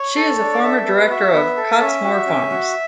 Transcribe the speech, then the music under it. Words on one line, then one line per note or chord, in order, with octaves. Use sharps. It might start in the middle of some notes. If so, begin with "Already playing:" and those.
She is a former director of Cottesmore Farms.
Already playing: C#5
A4
D4
D5
A4 E5
B3
F#4 E5
B3
A4
C#4
F#4
C#4
F#4